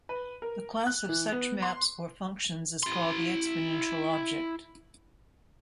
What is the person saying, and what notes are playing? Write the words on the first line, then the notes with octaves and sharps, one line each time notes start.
The class of such maps or functions is called the exponential object.
B4
A#4
F#6
E3
B3
C6
E4 C6